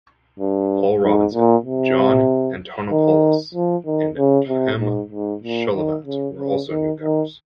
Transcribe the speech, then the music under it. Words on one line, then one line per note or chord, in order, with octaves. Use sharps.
Paul Robinson, John Antonopolous, and Tim Cholvat were also newcomers.
G2
G#2
A#2
C3
D#3
F3
D#3
C#3
C3
G#2
G#2
A#2
D#3
C#3
C#3
D#3
D#3